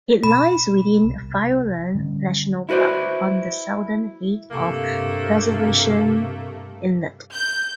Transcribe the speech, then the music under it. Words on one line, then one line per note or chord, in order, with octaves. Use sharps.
It lies within Fiordland National Park on the southern head of Preservation Inlet.
B2 B5
C2
D3 G3 C#4
E4 F#4 B4 C5 D5
G2 C3 A3 A#3
G6